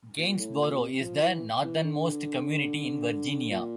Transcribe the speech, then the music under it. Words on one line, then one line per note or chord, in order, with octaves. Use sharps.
Gainesboro is the northernmost community in Virginia.
A#2
A2
A#2
C3
F3
E3
E3
D3
A#2